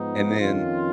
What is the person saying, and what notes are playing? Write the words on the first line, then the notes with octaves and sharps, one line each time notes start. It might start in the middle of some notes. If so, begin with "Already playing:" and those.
and then,
Already playing: G#2 F3 B3 D#4
F2 D#3 C#4 F4